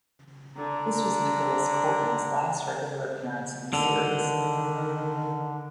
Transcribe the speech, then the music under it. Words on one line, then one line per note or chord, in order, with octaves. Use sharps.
This was Nicholas Courtney's last regular appearance in the series.
D3 A#5
D3 D#3